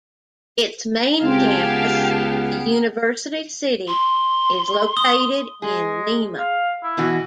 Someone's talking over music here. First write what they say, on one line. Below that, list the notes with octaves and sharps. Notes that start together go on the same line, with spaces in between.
Its main campus, the University City, is located in Lima.
C#2 C4 G4 F5 G#5 A5
B3 F#5
C6
D#6 G7
G#3 G#4
F5
E4
B2 E3 F#4